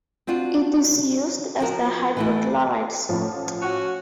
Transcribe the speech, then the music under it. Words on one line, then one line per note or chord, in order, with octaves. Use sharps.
It is used as the hydrochloride salt.
C4 D4 F4 F#4
F3 F4 F#4 A#4
E3 A3 E4
A1 F3
C#4 F#4